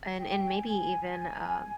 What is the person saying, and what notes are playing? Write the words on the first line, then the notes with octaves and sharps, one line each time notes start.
And and maybe even, um,
G5
G5
G#5
G#5